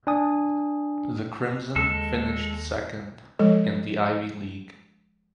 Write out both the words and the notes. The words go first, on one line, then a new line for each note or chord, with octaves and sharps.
The Crimson finished second in the Ivy League.
D4 G#5 D#6
D#2 G#3 A4
F3 G#3 A4 C#5